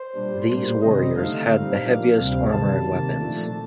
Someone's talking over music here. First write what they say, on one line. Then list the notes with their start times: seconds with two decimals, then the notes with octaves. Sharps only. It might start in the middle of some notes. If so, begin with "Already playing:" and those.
These warriors had the heaviest armor and weapons.
Already playing: C5
0.15 A#2 G3 D4
0.49 A2 G3 A#3 D4 C5
0.82 C3 D#3 G3 C4 D#5
1.16 D3 A3 D#4 F5
1.50 A#2 G3 C4 D#4
1.83 A#2 F3 A#3 D4
2.18 D2 C3 G3 C4
2.51 C3 D#3 G3 A5
2.86 C3 D#3 A#3
3.19 A#2 F3 A3 D4